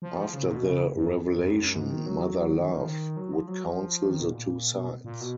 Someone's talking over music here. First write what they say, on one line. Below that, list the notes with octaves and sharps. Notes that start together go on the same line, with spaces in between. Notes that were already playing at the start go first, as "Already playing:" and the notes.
After the revelation, Mother Love would counsel the two sides.
F3
F3
C#3
A#2
B2
C#3
F#2
F#2
F2
F#2
F#2
G#2
D#3
F#3
D#3
F3
D#3
F#3
F3
F#3
F3
D#3
B2
A#2
B2
A#2
B2